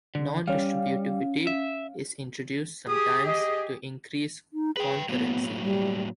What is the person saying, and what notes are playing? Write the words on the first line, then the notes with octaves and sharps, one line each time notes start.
Non-distributivity is introduced sometimes to increase concurrency.
D3
G3 C#4 F5
E5
G4 G#4 D#6
D#5
D#4
G#4 B4 G5
A2 F#3 A#3 B3
G3